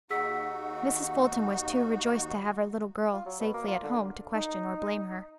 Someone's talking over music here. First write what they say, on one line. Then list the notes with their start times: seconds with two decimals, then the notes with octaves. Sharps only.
Mrs. Fulton was too rejoiced to have her little girl safely at home to question or blame her.
0.10 D#2 D#4 F#4 G#4 F#5 E6 B6
3.13 F4
3.26 F#3
3.40 B2
3.54 A#3
3.68 F4
3.83 D3
4.33 D#4